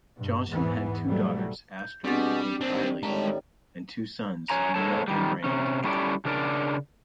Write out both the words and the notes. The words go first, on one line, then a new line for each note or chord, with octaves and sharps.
Johnson had two daughters, Astrid and Ky-Leigh, and two sons, Neil and Rand.
G2 B2
E2 G#2 E3 B3
G#2 B2 F#3 G3 A3
G6
B2 G3 C4 D4 F#4 G#4 A6
D#3 C4 D4
G4
A2 D#3 G3 G#3 A5 A#5
C#5 G#5 A#5
G#3 A#3 A4 C#5 A5
D#3 G3
C3 C#4
G3 C#4 E4 A4 C#5 D5
C#3 D4 A#4 D5